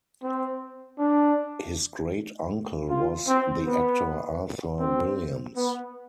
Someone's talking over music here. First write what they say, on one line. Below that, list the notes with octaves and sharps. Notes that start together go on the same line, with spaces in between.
His great-uncle was the actor Arthur Williams.
C4
D4
F4
C4
B3
C4
B3